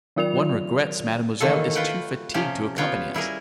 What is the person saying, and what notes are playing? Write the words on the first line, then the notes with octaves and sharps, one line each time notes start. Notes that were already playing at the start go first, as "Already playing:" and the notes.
One regrets mademoiselle is too fatigued to accompany us.
D#3 F#3 F4 A#4 D5 F7
D#3 E3 A3 A#3 A4
F4 B4 F#5 G5
C3 F3 C#4 G4
B3 F4 C#5 G5
G3 E4 G#4 A#4